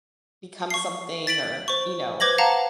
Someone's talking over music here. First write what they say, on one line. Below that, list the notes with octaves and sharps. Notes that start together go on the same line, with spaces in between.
become something or, you know.
C#6 C7
A6 B6 D7 F#7
C5 C#6
B4 C5 D6 G#6 A#6 F#7
F5 F#5 A5 A#5